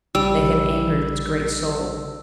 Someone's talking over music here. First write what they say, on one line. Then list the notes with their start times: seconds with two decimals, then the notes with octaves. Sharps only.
They had angered its great soul.
0.15 A#1 C#3 G3 E6